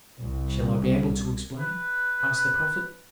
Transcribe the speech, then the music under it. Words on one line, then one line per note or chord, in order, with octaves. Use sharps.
"Shall I be able to explain?" asked the prophet.
C2
B4